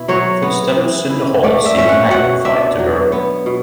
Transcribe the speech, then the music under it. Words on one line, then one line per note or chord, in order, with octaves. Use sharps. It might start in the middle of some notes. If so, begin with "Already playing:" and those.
Footsteps in the hall seem magnified to her.
Already playing: B2 E4
F#3 C#5
B3
E3
E4
A3 D5
E5
C#4 E5
F#5
B2 F#5
D4 E5
F#3
B3
B2